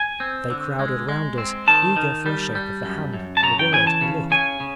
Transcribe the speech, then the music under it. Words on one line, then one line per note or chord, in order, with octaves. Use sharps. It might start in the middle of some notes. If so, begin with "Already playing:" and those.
They crowded round us, eager for a shake of the hand, a word, a look.
Already playing: G#5
C4
D3
G#3
G#3
C4
D#3 A5
D#3
G3
G3
F#2
F#2
A5
C#3 A#5
G5
E3 G#5
A5
C#3
C#3 G#5
C#3